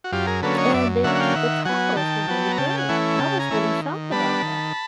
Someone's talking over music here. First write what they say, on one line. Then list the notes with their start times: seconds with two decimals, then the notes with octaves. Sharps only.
and the the tacos were really great. I was really shocked about that.
0.04 F#4
0.12 F#2 F4 G4
0.27 G#4 A#4
0.42 D3 F#3 A#3 C#4 A4 B4
0.58 C#5 D#5
0.74 F#2 D5 E5
1.04 D3 F#3 A#3 C#4 E5 F#5
1.15 F#5
1.20 F5 G5
1.34 D#3 E5 F#5
1.65 F#3 B3 F#5 G#5
1.96 D#3 G5 A5
2.28 F#3 B3
2.52 A#5
2.57 C#3 G5 A5
2.70 G5
2.78 F#5 G#5
2.89 E3 A3 C#4 E4
3.19 C#3 G5 A5
3.39 G#5 A#5
3.51 E3 A3 C#4 E4
3.81 D#3
4.11 G3 B3 D4 A5 B5
4.42 D#3